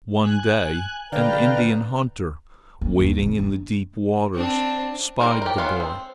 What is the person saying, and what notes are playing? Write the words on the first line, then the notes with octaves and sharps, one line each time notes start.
One day an Indian hunter, wading in the deep waters, spied the boy.
G#5 F#6
D3 B4 D5 F5 G5 A#5
A#3
D#2
F2
D4
C4 D4
G3 A#4 C5 A#5
G4 A#4
D#3 B3 C#4 F4 F5
C4